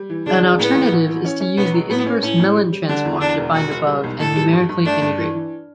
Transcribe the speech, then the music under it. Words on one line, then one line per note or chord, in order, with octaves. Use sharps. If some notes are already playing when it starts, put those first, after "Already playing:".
An alternative is to use the inverse Mellin transform defined above and numerically integrate.
Already playing: G3
E3
C#3 D4
C#3
A2 B3
A1
A1
E3
C#4
C#4
B1 B3
F#3
A2 B3
C#4
A2 C#4
A2
G3
G3
D3 D4
E2
E2 D4
E1
E1 F#4
E1
G3
B1
A2 A4
G3
G2
G2
A3 D4
G2
E3
E3